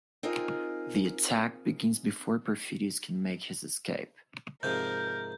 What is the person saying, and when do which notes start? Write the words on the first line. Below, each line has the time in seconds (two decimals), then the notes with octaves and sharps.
The attack begins before Perfidius can make his escape.
0.23 C4 D#4 F4 G#4 A#4 D#5
4.63 G#2 C3 F3 A#4 G6